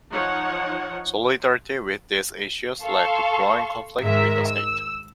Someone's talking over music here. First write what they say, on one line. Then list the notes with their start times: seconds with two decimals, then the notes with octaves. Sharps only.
Solidarity with these issues led to growing conflict with the state.
0.12 F3 D#4 C#5 F#5
2.84 A4 F5 C6 C#6
4.01 G#2 D#3 G#3 A#4 E5
4.48 E6